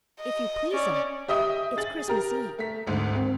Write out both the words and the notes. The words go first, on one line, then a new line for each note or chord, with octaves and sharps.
"If you please'm, it's Christmas Eve."
D#5
C#4 D5
G4 D#5 E5 D#6
G#4 A6 F#7
G4 A#4 A#5
A3 B6
G#1 D2 G#2
C4